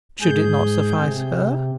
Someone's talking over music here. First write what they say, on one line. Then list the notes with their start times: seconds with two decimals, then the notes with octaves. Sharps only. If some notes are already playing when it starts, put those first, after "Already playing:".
Should it not suffice her?
0.21 G#2 G#4 G6
1.00 C3